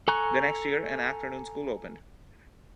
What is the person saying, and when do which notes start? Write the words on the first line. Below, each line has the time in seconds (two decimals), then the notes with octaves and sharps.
The next year, an afternoon school opened.
0.08 A4 G#5 A#5 C#6 F#6